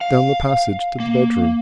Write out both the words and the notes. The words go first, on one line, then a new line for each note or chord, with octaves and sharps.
Down the passage to the bedroom.
F5
A#3